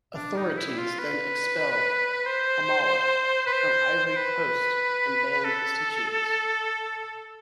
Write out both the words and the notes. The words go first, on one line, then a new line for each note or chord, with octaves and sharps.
Authorities then expelled Hamallah from Ivory Coast and banned his teachings.
D4
D#4
E4
F4
B4
C5
B4
C5
C5
B4
A4